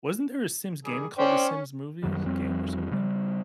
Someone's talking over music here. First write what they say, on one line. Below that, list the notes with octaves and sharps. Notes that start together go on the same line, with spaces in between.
Wasn't there a Sims game called the Sims movies game or something?
D#3 G3 G#4
C#4 C5 D5 G5
F#2 D#3 F#3 G3
F2 G3 C4
C#3 G3